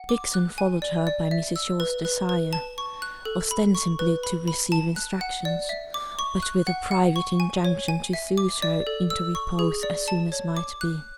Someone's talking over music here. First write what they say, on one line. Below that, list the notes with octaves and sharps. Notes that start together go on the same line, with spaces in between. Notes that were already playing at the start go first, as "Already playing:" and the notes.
Dixon followed her by Mrs. Shaw's desire, ostensibly to receive instructions, but with a private injunction to soothe her into repose as soon as might be.
Already playing: F#5
D6
F#6
G#5
D5
D5
E5
E6
B4
B4
B4
A5
C#6
F#6
A4
B5
C#6
B4
B5
B5
A5
F#6
F#5
D5
E5
D6
C#6
F#6
F#5
F#5
C#6
G#5
C#5
G#5
E5
D6
D5
A4
E6
C#6
G#4
D5
A5
C#5
D6
F#6